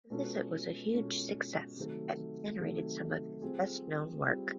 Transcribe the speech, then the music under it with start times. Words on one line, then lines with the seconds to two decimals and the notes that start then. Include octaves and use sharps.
The visit was a huge success and generated some of his best known work.
0.10 B2 G#3 C#4 F4 A4
0.94 B2 G#3 C#4 F4 A4
1.76 C3 D#3 F#3 A3
2.59 C3 D#3 F#3 A3
3.42 G3 C4 F4 G#4
4.25 G3 C4 F4 G#4